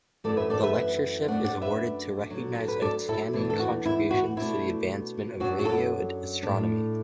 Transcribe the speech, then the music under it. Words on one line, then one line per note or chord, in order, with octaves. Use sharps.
The Lectureship is awarded to recognize outstanding contributions to the advancement of radio astronomy.
F#2 E3 A3 D4 A4 D5
B4 E5
A4 D5
B4 E5
B4 E5
F#2 F#3 A3 D4 D5 F#5
D5 F#5
B4 E5
D2 D3 F#3
A4
B4
A4 D5
E4 A4
E2 E3 A3 D4 E4
A4
F#4
E4
F#4
B2 A3 D4 E4
F#2 F#3 D4 F#4
F#4
E4 A4
A2 A3 D4